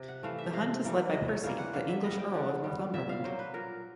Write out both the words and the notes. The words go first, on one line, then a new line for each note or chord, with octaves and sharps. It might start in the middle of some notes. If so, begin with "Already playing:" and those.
The hunt is led by Percy, the English Earl of Northumberland.
Already playing: C3
F#5
E3 A3 F5
E5
C3 F5
E3 G3 A#3
C3 D#5
C#5
E3 G3 A#3 F5
F#5
D3 F5
E5
G3 B3 D#5
G5
D3 F#5
G3 B3
A#2 E5
F5
F#3 A#3 C5
B4
A#2 A#4